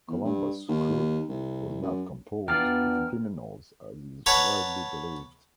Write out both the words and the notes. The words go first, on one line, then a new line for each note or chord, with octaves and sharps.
Columbus' crew was not composed of criminals as is widely believed.
E2
G2
D#2
C2
F#2
E2 B3 D4 F4 D5 G5 A#5 F6
B4 C#5 F#5 A5 A#5